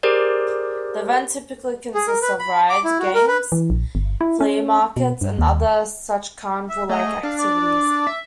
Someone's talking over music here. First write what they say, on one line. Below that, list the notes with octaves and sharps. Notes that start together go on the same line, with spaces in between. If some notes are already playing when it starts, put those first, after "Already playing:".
The event typically consists of rides, games, flea market and other such carnival-like activities.
G4 G#4 A#4 C5 D5
G#4
A#4
B4
B5
D6
E4
F#4
A#4
B4
E3
A#1
G1
E4
C#4
B2
G2
D#2
E5
A3 G#4 D#5
D4 F5
D5
E5